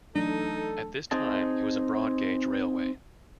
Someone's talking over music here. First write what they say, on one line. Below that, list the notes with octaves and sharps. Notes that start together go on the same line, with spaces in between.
At this time it was a broad gauge railway.
E3 F#3 A3 D4 D#4 A4
C4 D#4 G#4 D#5 A5